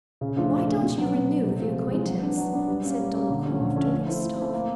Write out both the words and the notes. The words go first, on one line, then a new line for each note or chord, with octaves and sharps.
"Why don't you renew the acquaintance?" said Dolokhov to Rostov.
C#3
F3 A3 D4 F4
C#3
F3 A3 D4 F4
B2
F#3 B3
B2
F#3 B3
C3
F3 G#3 C4
C3
F3 G#3 C4
F#3
B3 D4
F#3
B3 D4
G3
A#3 C#4
G3
A#3 C#4
D3
F3 A3 C#4
D3
F3 A3 C#4
F3
A3 C4 E4
F3
A3 C4 E4
A#3